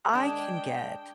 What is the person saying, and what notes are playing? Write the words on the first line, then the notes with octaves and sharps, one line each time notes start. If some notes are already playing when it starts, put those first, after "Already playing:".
I can get
G#3 D4 G5